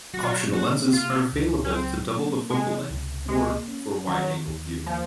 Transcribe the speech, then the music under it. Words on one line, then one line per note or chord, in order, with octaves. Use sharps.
Optional lenses are available to double the focal length or for wide-angle view.
F#3 F#4
F4
F#4
A#3 F#4
C3 F4
C#2
C#4
F#3 C4
A#3
C3 G#3
C#2
G#3 A#3
C#4
D#3 F#3
D#2
F3 A#3